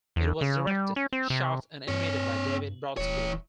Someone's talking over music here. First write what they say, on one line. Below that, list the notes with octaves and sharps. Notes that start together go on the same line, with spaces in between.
It was directed, shot and animated by David Brodsky.
E2
C#3
G3
C#4
C4
C3
G2 C4 C#5
D#1 E3 C#5